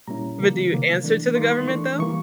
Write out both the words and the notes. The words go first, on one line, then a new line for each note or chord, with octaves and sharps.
But do you answer to the government though?
A#2 G3 A#3 C#4 E4 A#5
C#3 E3 G3 A#3
C3 D#3 F#3 A#3
E3 A3 D4
D#3 G3 A#3 D#4 C6
C6
E3 A3 D4 C#6
E3 G3 A#3 C#6